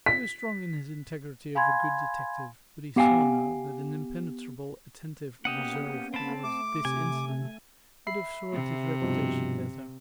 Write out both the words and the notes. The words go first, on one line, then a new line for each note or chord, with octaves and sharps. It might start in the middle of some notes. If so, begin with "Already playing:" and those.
He was strong in his integrity of a good detective, but he saw now that an impenetrably attentive reserve towards this incident would have served his reputation better.
B6
F5 G#5 B5 C6 G#6
B3 G4 F5 G5 G#5
A#3 B3 C#4 G4 D#5 F#5
C4 A5 B5
A3 D6
C3 G#5
E5 B5 C7
C3
G2 B2 F3